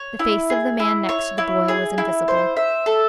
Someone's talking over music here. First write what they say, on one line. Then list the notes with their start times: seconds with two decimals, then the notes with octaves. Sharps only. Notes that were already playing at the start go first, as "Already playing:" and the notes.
The face of the man next to the boy was invisible.
Already playing: C#5
0.19 E4
0.50 G#4
0.80 E4
1.09 C#5
1.38 E4
1.68 G#4
1.98 E4
2.28 C5
2.57 E5
2.86 A4